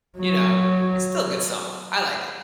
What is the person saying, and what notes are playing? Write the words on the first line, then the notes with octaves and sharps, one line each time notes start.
you know, it's still a good song. I like it.
F#3